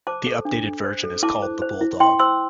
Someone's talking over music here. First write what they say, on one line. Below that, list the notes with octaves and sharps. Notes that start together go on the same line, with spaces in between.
The updated version is called the Bulldog.
C5 A5 D6
A4
D4
D4
C5
A4
E4 A5 D6
C5
C5
E4
E4 G5 C6
C5 C6 E6